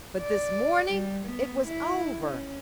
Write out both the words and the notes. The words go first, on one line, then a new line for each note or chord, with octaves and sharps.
But this morning it was over.
D5
G3
B3
E4
C#4